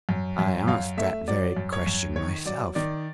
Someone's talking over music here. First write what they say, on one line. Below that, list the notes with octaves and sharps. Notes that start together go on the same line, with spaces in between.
I asked that very question myself.
F#2
F#2
F#2 F5
A3 E5
F#3 D5
F#2
C#5
F#2
D#3 C#5
F#3 D5
D#3 D5